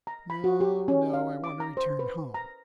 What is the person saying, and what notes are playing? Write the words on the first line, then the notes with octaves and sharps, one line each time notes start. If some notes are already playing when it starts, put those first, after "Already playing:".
"No, no. I want to return home."
A#5
B5
F#4
G4
C#4
F5
D6
A#5
C5
B4
A#5